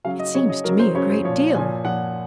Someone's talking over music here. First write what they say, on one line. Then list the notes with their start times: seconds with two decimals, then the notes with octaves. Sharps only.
"It seems to me a great deal."
0.04 C#3 F#3 F5
0.19 D#5
0.35 C#3 F#3 C#5
0.50 D#5
0.64 C#3 F#3 A#4
0.79 C5
0.95 C#3 F#3 C#5
1.10 C5
1.24 A#2 F3 C#5
1.54 A#2 F3 G#5
1.84 A#2 F3 F#5